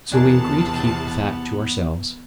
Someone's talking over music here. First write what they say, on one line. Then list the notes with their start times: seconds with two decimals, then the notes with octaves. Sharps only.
So we agree to keep the fact to ourselves.
0.11 E2 C3 B3 D4 G#4 A#4 A5